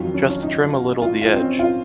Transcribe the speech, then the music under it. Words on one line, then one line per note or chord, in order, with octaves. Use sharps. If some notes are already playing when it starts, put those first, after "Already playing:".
Just trim a little the edge.
Already playing: F2 D#3 F#3 F4
C#4
C#4
D#4
F4
F4
C4
C#4
F4